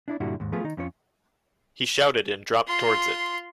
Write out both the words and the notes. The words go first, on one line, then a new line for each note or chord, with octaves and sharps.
He shouted and dropped towards it.
D4 E4 D5
G2 A#2 D3 G3 E4 F#4
D#2 G#2
F3 A3 B3 F4 G#4
D#3 D#4
F2 C#4 F4 C#5
F4 C6